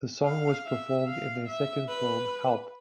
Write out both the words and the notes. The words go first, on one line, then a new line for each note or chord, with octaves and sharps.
The song was performed in their second film, Help!
F5
E5
F5
E5
B4